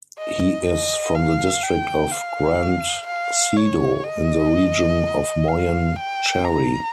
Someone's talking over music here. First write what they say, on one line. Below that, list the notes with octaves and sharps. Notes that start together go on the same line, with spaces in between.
He is from the district of Grande Sido in the region of Moyen Chari.
D#5
D#5
F5
G5
F5
F5
C#5
D#5
F5
G5
A#5